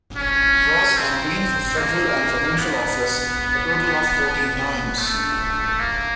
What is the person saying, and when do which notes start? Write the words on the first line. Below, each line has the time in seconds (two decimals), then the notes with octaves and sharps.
Ross campaigned for federal and provincial office a total of fourteen times.
0.17 C#4
0.97 C4
1.77 A#3
2.58 B3
4.99 A3
5.79 A#3